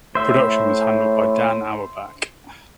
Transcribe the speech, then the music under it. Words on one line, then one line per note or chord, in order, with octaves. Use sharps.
Production was handled by Dan Auerbach.
A2 C5 E5